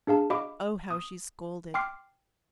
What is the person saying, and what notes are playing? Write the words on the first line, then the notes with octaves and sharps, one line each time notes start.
Oh, how she scolded.
D4 G#4 F5 A5
F#4 D#5 F5 B5 D6
D#6
G5 C6 D6 F6 C7